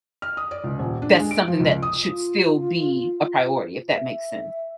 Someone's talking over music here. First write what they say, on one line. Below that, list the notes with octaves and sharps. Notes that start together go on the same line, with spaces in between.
that's something that should still be a priority, if that makes sense.
F6
D#6
D5
C#2
D#1
D4
G#3
D7
F3
C#2
D#6
F4
E5